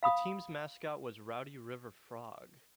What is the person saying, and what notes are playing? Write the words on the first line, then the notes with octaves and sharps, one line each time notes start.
The team's mascot was Rowdy River Frog.
F5 B5 D#6